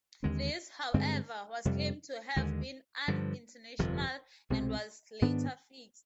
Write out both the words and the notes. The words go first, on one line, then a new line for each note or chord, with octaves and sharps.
This, however, was claimed to have been unintentional, and was later fixed.
D#2 D3 G#3 C4
G2 D3 G#3 C4
F2 C3 G3
D#2 D3 G#3
G2 D3 F3
G1 F2 C3 F3
C2 B2 G#3 C4
G#2 D#3 B3 D4